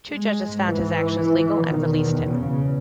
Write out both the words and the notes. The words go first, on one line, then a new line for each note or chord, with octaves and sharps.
Two judges found his actions legal and released him.
G#3
G#2
E3
E2 B2 D#3
C#3